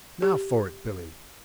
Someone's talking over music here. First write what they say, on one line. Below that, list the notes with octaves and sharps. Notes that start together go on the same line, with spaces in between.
Now for it, Billy.
G4